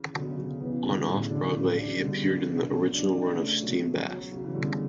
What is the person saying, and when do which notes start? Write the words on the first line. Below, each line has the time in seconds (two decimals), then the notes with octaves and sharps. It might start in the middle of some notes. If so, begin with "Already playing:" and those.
On Off Broadway, he appeared in the original run of "Steambath".
Already playing: C#3 E3
0.14 B2 D3 F#3
0.26 C#3
0.37 B2 F#3
0.49 C#3
0.60 C#3 E3 B3
0.72 C#3 E3
0.84 B2 D3 G3
0.95 B2
1.07 A2 C#3
1.19 C#3
1.30 B2 D3 D4
1.42 C#3 E3
1.53 A2
1.76 D4
2.00 B2 D3 G3
2.23 D4
2.46 B2 D4
2.57 C#3
2.69 B2 F#3
2.93 D4
3.16 D4
3.39 C#3 A3
3.62 B2 F#3
3.85 F#3
4.08 F#3
4.32 C#3 F#4
4.43 C#3 E3
4.55 B2 D3 G3
4.67 C#3